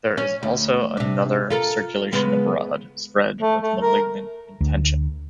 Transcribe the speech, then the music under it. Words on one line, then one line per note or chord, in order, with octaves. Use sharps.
There is also another circulation abroad, spread with a malignant intention.
C#4 C#5
D2
C3 D4
F4 A4 A#4
C#3 G#3 B3
A3
A3
A#4
D2